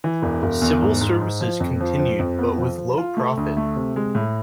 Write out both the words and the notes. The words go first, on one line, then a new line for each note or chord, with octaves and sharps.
Civil services continued but with low profit.
E3
E1
E1
E2
G#2
G#2
G#2
F3
F2
F3
F3
F2
B3
F3
F3
F4
A3
D2
A3
C3
G#3
A2